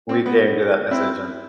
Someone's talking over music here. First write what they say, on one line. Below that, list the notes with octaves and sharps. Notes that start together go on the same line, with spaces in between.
we came to that decision.
C4
B3
C4 E4